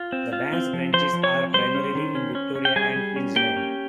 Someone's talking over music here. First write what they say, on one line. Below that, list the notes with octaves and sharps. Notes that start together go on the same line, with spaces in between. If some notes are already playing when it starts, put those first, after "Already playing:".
The bank's branches are primarily in Victoria and Queensland.
Already playing: F4
C4
F4
C4
F3
F3 C5 C6
F3
C#5 C#6
C4
G3 C5 C6
C#4
D#3
C#4
C#4
C#4
G5
G3 G#4 G#5
G3
C#4
A#3 G4 G5
C#4